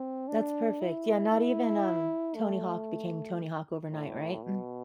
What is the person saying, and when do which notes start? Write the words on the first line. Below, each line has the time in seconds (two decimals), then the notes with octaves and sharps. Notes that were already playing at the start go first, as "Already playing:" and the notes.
That's perfect, yeah, not even, um, Tony Hawk became Tony Hawk overnight, right? Mm.
Already playing: C4
0.28 D4
0.81 E4
1.32 E4
2.35 A3
3.92 A2
4.43 B2